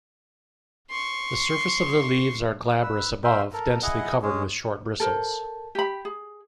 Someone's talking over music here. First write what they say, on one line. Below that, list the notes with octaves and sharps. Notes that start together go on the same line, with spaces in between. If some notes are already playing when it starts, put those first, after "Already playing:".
The surface of the leaves are glabrous above, densely covered with short bristles.
C6 C#6
B4 E6
E5 F5 G5 C6
A4 A#4
E4 G#4 D#5 F#5
G#3 C#4 G#4
A4 A#4 C5
G4 B5
G#4